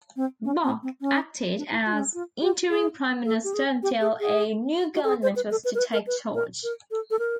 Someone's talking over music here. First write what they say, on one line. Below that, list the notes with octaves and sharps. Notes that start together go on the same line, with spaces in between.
Boc acted as interim Prime Minister until a new government was to take charge.
C4
C#4
C4
C4
C#4
D4
E4
F4
D4
C#4
F4
G4
G#4
A4
G4
G#4
G4
G#4
G#4
F#4
A4
G#4
C5
B4
A4
B4
A#4
B4
A#4
B4
A#4
A#4
A4
A4
A#4